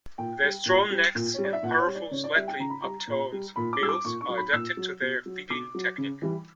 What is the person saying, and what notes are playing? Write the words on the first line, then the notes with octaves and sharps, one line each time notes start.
Their strong necks and powerful, slightly upturned bills are adapted to their feeding technique.
A#2 G5
G3
A#2
G3
A#2
G3 C#5
D5
E5
A#2 F#5
C#5
G3
D5
C#3 C#5
D5
G3 E5
G5
C#3 A#5
B5
G3 A#5
A#2
G3
A#2 B5
D6
G3 E6
D6
A#2 C#6
C#6
F#3
B5
A#2 E6
F#3
B2
F#3
B2 D6
F#3
C#3
E3 G3